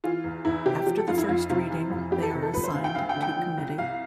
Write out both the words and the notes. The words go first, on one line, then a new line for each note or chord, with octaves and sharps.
After the first reading, they are assigned to committee.
E3 F4
E2
E2 E4
C3 G4
F3 G4
A4
F2 F4
E4
F2 F4
C3 F4
E3
F2
F2 G4
A4
C3
A4
F3 B4
C5
D2 F5
G5
D2 F5
G5
D3
G5
F3
C2
C2 F5